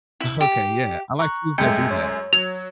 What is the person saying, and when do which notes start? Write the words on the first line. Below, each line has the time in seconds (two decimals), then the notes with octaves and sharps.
Okay. Yeah. I like foods that do that.
0.20 E4
0.41 G4
1.20 A#5 C#6 F#6
1.58 F#2 G#3 A3 G5 G6 C#7
1.91 C#5
2.33 F#3 F7